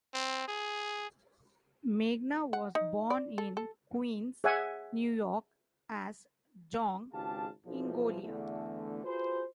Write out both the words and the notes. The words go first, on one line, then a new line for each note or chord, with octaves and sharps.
Megna was born in Queens, New York, as John Ingolia.
C4
G#4
F#5
D#4
D5
A4
A4
G#4 C#5 E5 F#5 G#5
G#1 C#2 G4 G#4 F5 A5
B1 E2 F3
E2 D3 A3
F4 F#4 G#4 B4 C5